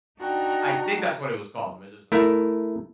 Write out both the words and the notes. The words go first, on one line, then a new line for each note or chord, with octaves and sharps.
I think that's what it was called, "The Magician's Apprentice." Yes,
D4 D#4 F#4 G5 A#5
A3 E4 A#4